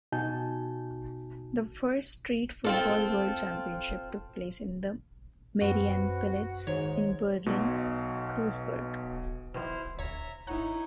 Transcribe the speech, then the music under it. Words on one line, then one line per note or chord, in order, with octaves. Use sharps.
The first Street Football World Championship took place in the Mariannenplatz in Berlin-Kreuzberg.
B2 D#4 F#4 G#5 A5 G6
C4 F4 A4
F#2 C4 F#4 B4
G#2 D#3 C#5
B1 B2
B2 D#3 F3 E4 C5 F6
D2 C#5 E5 A#5
G#1 D#4 E4 C#5 F#5 A#5